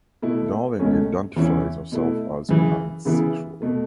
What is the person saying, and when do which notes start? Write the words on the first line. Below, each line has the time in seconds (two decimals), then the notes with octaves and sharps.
Darling identifies herself as pansexual.
0.22 B2 A3 E4
0.79 C#2 B2 A3 C#4
1.36 E2 E3 C#4 E4
1.92 B2 A3 E4
2.49 F#2 C#3 E3
3.05 C#3 E3 B3 E4
3.62 B2 A3